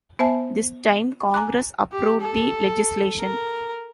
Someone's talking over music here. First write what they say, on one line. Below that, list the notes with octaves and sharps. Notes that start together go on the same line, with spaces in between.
This time Congress approved the legislation.
B3 C5 E5 G#5 A5
G#5 A#5 D6 F#6
G4
A4
A#4